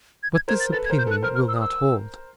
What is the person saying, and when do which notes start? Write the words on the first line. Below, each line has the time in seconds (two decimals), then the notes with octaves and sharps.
But this opinion will not hold.
0.23 G#6
0.35 G#6
0.48 A#4 C5 G#6
0.60 A6
0.72 A4 B4 A6
0.85 G#6
0.90 A#4 C5
0.98 G6
1.06 A4 B4 F#6
1.23 A#4 C5 F6
1.35 F6
1.48 E6
1.55 D#6
1.61 E6